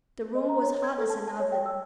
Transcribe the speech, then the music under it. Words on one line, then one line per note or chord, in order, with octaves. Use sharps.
The room was hot as an oven.
D#5
A#5
C#5
G#6
A4
A5
A5
C#5
G5
E6